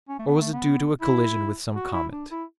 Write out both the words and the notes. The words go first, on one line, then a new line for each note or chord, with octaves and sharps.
Or was it due to a collision with some comet?
C#4
A3
B3
A3
B3
E4
F#4
E4
D4
E4